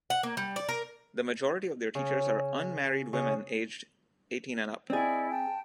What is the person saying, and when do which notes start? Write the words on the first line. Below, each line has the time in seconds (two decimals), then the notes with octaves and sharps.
The majority of their teachers are unmarried women aged eighteen and up.
0.10 F#5
0.23 A#3
0.37 G3
0.56 D5
0.69 A#4
1.95 C#3
3.13 C#3
4.90 C4 E4 G#4 D5 D#5
5.30 G5 A5